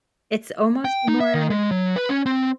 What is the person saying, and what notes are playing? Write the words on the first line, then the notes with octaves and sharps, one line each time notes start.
it's almost more
G5
D#4
E5
D#3
G#3
F#3
B4
C#4
C4